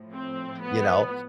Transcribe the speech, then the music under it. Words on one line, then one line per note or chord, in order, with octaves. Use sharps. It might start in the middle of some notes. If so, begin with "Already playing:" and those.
you know?
Already playing: A2 F3
C4
B3